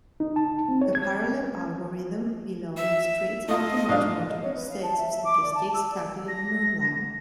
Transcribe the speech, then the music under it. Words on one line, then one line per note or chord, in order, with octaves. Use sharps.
The parallel algorithm below illustrates how to merge multiple sets of statistics calculated online.
D#4
A5
C4
C#5
G#6
E5
A3 F4 D#5
G#2 D4 F5
D#5
C#5
B4
F5
A5
E5
E5
D6
D5
A5
E6
D5
A#6